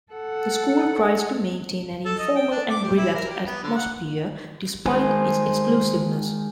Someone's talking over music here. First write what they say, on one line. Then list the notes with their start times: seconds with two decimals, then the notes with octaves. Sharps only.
The school tries to maintain an informal and relaxed atmosphere despite its exclusiveness.
0.13 A4 F#5
2.06 A4
2.18 D#4
2.36 G5
2.51 D4
2.70 D6
2.83 G4
2.97 E4
3.15 A#4
3.30 G4
3.46 B3
3.63 D3
3.76 F#5
4.86 D#3 G#3 C5 G#5